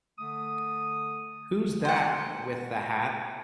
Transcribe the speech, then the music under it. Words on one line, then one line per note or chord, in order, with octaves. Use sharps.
Who's that with the hat?
D3 A3 D#6
C5 F#5